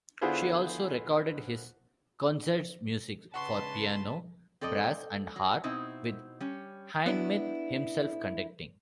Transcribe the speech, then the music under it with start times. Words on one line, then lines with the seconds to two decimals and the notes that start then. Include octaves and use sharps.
She also recorded his Konzertmusik For Piano, Brass and Harp with Hindemith himself conducting.
0.21 D3 B3 E4 F4 G#4 C5
3.34 C#3 B4 F#5 A5 C6 C#6
4.61 C4 A4 D5 D#5
5.36 F#3
5.64 B2 C4 D#4 E4
6.40 G3 C#4
7.06 B3 D4 E4